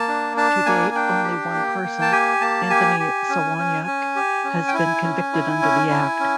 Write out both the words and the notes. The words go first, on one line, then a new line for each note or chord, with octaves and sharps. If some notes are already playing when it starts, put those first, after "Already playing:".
To date only one person, Anthony Sawoniuk, has been convicted under the Act.
Already playing: A#3 A5
D4
D4 A5
A#3 G#5
D4 G5
G4
A#3
A#3
A5
G4 G#5
A#3 A5
G4 G#5
G4
C#4
C#4
C#4
G4
C#4
G5
E4 G#5
C#4
E4
C#4
E4
C#4